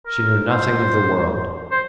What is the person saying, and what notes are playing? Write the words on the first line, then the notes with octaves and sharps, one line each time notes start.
She knew nothing of the world.
A#4
C5
C5